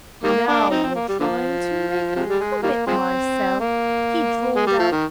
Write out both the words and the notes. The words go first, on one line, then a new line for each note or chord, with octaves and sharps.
'Now you're trying to make me commit myself,' he drawled out.
D#3 G3 A#3
A#3 D4
C4 D#4
C4
A#3
G3
D3 F3
C3 F3 G#3
G3
G#3
D#3 G3 A#3
F3 G#3 C4
A#3
G#3
G3
F3
D#3